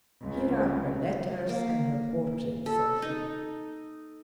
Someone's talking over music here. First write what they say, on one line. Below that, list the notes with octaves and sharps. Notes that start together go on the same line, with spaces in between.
"Here are her letters and her portrait," said he.
C#2
A#3
A4
D#4